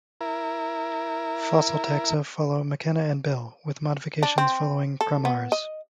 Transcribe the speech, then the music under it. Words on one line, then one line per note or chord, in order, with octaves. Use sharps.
Fossil taxa follow McKenna and Bell, with modifications following Kramarz.
E4 A#4
D4
C4
A4
B3
D#5